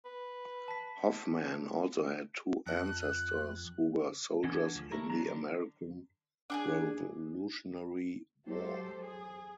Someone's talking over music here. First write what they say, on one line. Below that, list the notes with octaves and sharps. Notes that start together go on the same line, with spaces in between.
Hoffman also had two ancestors who were soldiers in the American Revolutionary War.
B4
A5 B6
F2 F#6
E3 D4 A4 F#5 G#5
D2 F3
A3 E4 A#4
F#3 G3 D4 A#5
D3
D4 G4 G#4
F#3 G#3 G4 A4 C5
G#4